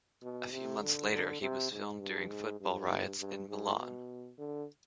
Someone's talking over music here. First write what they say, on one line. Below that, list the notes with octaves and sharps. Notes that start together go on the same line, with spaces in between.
A few months later he was filmed during football riots in Milan.
B2
C3
D3
D3
C3
G#2
G2
G#2
G2
G2
G#2
B2
D3